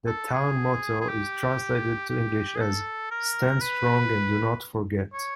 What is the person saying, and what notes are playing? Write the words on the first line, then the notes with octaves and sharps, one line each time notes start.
The town motto is translated to English as: "Stand strong and do not forget".
A4
G#4
G#4
G4
G4
G#4
A4
A#4
B4
C#5